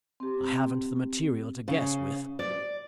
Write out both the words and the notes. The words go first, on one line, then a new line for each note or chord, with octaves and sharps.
I haven't the material to guess with.
C4 G4
C#3
D5